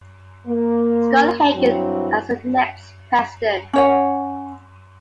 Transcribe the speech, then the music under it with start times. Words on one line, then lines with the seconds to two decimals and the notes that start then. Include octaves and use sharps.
Scott Hagan as the next president.
0.47 A#3
1.55 G2 F#3 G3 C4 E4
3.73 C#4 C#5 F#5